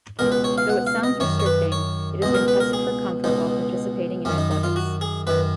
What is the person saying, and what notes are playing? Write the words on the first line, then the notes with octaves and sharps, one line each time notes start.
Though it sounds restricting, it has been tested for comfort while participating in athletics.
C#2 B2 A#4
B4
C#5
F5
F#5
F5
D#5
F#2 D#3 C#5
C#5
B4
C#5
C#2 B2 D#5
A#4
B4
A#4
G#4
C#2 B2 D#4
F#2 D#3 C#4
D#4
D#4
F4
F#4
G#4
F#2 D#3 B4